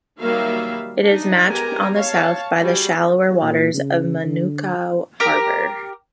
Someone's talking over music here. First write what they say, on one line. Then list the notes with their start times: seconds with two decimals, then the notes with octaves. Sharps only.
It is matched on the south by the shallower waters of Manukau Harbour.
0.19 D#3 F#3 G3 A#3 E5 F5
1.01 D4 D#4
1.45 G#3 B3 G4 A#4 G#5 A#5
1.95 C#5 F5 A5
2.60 G3 F#4 G#4
3.42 A#2
3.74 C#3
4.25 D3
5.20 G4 A#4